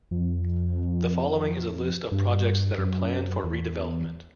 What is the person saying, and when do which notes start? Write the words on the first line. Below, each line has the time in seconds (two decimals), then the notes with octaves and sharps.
The following is a list of projects that are planned for redevelopment.
0.11 F2
2.11 G2
2.78 F#2
3.44 E2